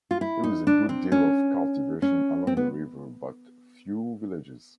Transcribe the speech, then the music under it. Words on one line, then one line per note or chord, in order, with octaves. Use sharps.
There is a good deal of cultivation along the river, but few villages.
F4
E4
D#4
D4
C4
C#4
C#4
C4
B3